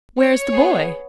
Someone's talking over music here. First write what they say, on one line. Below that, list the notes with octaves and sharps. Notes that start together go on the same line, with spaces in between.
"Where is the boy?"
C#5
B3 G#4